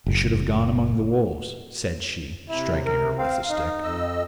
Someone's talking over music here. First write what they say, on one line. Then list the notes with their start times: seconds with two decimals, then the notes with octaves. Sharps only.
'You should have gone among the wolves,' said she, striking her with a stick.
0.06 F#1
2.49 C3 E4
2.86 A#4
3.18 C4 F5
3.50 D#4
3.83 F2 D#5 E6